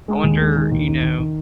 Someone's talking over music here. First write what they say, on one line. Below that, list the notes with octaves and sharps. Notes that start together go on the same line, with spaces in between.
I wonder, you know
G#3
D#2
G#3
D#3
D#2
D#3
D#3
D#3